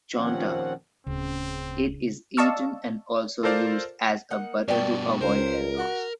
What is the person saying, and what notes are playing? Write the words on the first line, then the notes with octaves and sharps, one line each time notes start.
Chonta: It is eaten and also used as a butter to avoid hair loss.
D#2 A#2 F3 C4 C#4 F#5
D1 C#3 C4
D5 D#5 F5 A5 C#6 E6
F4 A4 A#4 C5 D5 F5
A#3 D#4 F#5
G2 B2 D5 G5
C#2 A#4 C5
F#4